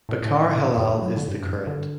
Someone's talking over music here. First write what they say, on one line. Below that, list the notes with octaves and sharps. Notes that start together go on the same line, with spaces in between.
Bechara Helal is the current.
A2
A2
G2
F#3
D3
G2
F#2
G2
D3